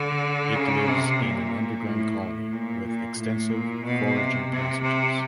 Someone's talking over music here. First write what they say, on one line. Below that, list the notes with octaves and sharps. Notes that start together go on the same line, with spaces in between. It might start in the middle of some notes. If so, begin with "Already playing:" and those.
It lives in an underground colony with extensive foraging passages.
Already playing: D3
C#3
C3
A#2
A2
A2
A#2
A#2
A2
A#2
B2
C3
C3
C3